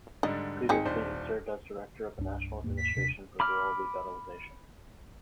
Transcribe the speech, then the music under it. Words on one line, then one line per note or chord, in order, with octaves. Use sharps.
Previously he served as director of the National Administration for Rural Revitalization.
G#2 D3 G3 D#5
G#1 C4 D#4 G#4 C#7
D#1 D4 C5
C2 G2 D4
D#2 G#2 A#3
B6
D#1 C3 D4
B5 D6 F6